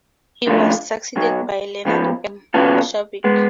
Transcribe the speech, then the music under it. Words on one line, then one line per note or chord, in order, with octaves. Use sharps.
He was succeeded by Lenard M. Shavick.
F#2 D3 F3 A3 F4
B1 B2 F#3
G#2 F3 B3
C#3 F#3 B3 F4 A4
G#3 B3